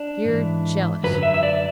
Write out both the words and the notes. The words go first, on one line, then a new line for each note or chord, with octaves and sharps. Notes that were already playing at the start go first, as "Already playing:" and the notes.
"You're jealous!"
Already playing: D4
G#2 E3
F#2 D3 F#3 B4
E5
E5
D5